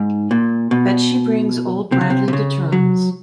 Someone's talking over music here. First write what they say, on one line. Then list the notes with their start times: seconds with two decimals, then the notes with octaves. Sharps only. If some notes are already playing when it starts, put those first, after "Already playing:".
Bet she brings old Bradley to terms.
Already playing: G#2
0.31 A#2
0.71 B2
1.92 C3
2.01 C#3
2.10 C3
2.28 C3
2.33 C#3
2.72 F#3